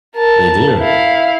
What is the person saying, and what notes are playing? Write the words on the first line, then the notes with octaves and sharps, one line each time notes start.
They do.
A#4 A5
E4 F5